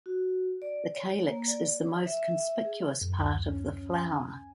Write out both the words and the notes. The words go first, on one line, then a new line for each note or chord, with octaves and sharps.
The calyx is the most conspicuous part of the flower.
F#4
D5
C#5
A#3
D5
C#5
E5
G#4
F#2
D2
C#4
G#5